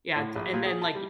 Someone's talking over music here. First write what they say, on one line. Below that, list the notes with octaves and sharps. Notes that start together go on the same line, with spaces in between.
Yeah d and then, like
A2
A#1
A#2
G#4
A5
G3